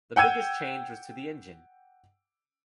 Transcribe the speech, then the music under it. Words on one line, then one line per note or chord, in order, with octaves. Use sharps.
The biggest change was to the engine.
F#5 G5 E6 G#6 D#7